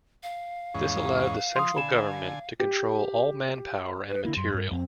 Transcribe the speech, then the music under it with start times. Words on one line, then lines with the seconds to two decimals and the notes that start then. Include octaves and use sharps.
This allowed the central government to control all manpower and material.
0.23 F5
0.74 E2 G#2 C#4
1.56 F3 C6 D#6
1.76 D3 G#5 B5 E7
2.60 G4
4.10 B4
4.25 D3 A#3 E4
4.37 F#2 C6
4.54 G2 A#4
4.71 F2 C4